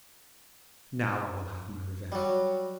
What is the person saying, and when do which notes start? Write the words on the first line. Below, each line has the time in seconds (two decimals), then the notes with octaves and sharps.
Now I will have my revenge.'
2.12 F#3 G3